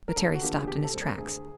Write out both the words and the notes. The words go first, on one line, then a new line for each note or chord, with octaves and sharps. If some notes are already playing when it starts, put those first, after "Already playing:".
But Terry stopped in his tracks.
A#4
D2 A4
F#4
D3 F3 A#3 G4
G#4
B2 G4
A4
G3 C4
A#4
D2 G#4